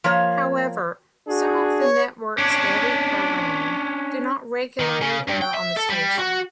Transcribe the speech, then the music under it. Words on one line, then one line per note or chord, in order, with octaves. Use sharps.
However, some of the network's daily programming did not regularly air on the station.
F3 A#3 C#5
D4 F#4 G#4
C#5
C#4 D4
D#3
C#3
G2
G5
E5
A4
G3
F#4